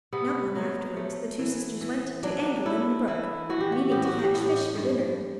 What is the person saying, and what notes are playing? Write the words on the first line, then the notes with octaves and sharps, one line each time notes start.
Not long afterwards the two sisters went to angle in the brook, meaning to catch fish for dinner.
C3 B3
F#3
A3
E3
E3
F#3 D4
A3 E4
E3 E4
E3 F#4
G4
F#4
A2 G4
F#4
G4
A2
G2